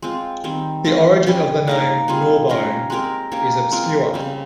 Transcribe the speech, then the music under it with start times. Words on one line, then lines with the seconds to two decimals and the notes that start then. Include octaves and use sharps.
The origin of the name Gnaw Bone is obscure.
0.02 G#3 C4 F4
0.44 D#3 G3 C4
0.85 G#3 C4 F4
1.26 G3 C#4 G4
1.68 A#3 D#4 A#4
2.08 G3 C4 F4 G#4
2.49 G3 C#4 F4 A#4
2.90 G#3 C4 G4 A#4
3.32 A#3 C#4 G4
3.72 G#3 C4 F4 A#4
4.14 C#3 G3 C4